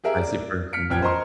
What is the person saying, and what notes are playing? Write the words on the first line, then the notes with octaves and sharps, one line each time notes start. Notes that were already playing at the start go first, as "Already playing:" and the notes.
spicy person. Yeah.
G4 G#4 A#4 E5
D5
F6 B6 C#7 D7
A1 E2 F3 G5 F6 G#6
A#4 C5 D#5 A#5 C6